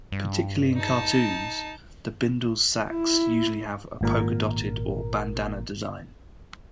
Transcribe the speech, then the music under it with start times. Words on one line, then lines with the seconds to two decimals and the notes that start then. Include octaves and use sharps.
Particularly in cartoons, the bindles' sacks usually have a polka-dotted or bandanna design.
0.12 G2
0.76 D#4 A5
2.90 E4
4.01 G#1 A#2 A#4